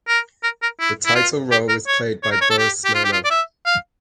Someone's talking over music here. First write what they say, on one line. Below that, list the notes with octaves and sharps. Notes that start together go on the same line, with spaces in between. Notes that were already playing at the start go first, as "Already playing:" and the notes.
The title role was played by Boris Smirnov.
A#4
A#4
A#4
E4
E4
F4
G4
A#4
C#5
C#5
A#4
C#5
A4
G4
G4
F4
G4
F4
D5
E5
F5